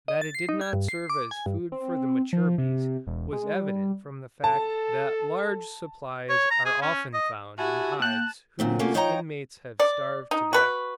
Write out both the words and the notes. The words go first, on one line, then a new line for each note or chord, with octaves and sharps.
That it did not serve as food for the mature bees, was evident from the fact that large supplies are often found in hives whose inmates have starved to death.
D#5
A6
C7
D#4
G#6
G2
C7
D6
G#5
G2
C4
F3
C3
E1
G#3
G3
A4 A5
C#5
A#5
G#4
C#4
D#5
E4 F#4 G4 G#5 A5
A#3 G5 A5 F#6
F#2 A#2 C4
C3 A3 A#3 C#4 F4 F#4
F3 D#4 C#5 G5 G#5 A#5
D5
D#4
F#4 B4